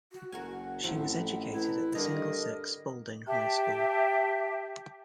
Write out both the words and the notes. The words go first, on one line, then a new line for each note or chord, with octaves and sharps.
She was educated at the single-sex Spalding High School.
F#4
F#1 F#4 A#4 F#5 G#5
A1 F2 A2 F3
E4 B4
G2 D3 A#4 D#5
G4 E5 G5 A5